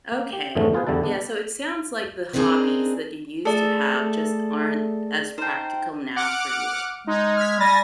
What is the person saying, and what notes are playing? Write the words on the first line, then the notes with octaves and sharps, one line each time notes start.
Okay, yeah, so it sounds like the hobbies that you used to have just aren't as practical now for you.
A#3
G4
F2 G#2 D3 E3 A3 C#4
B3 F4 G#4 B4 C5
E2 D3 G3 E4 A5
B3 D4
B3 C4 D4 D#4 G#4 A#4
A3 G#4 A4 D5
A3
D#4 C5 G5 A5
F#5 D6 F6
G#3 D#4
F6 G#6 B6
G3 G#5 A6 A#6